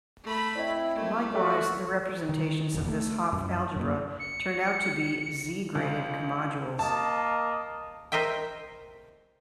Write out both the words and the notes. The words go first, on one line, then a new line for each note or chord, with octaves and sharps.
Likewise the representations of this Hopf algebra turn out to be Z-graded comodules.
A3 B5
C4 E4 D5 D#5
A3 A#3
F#4 A4 D5 E5
D#3
F1 A#1 E2
A3
F#2
F#2 A#3
C#7
C#2
A#3 D#5 A5
A#4 C5 D#5 E5 G5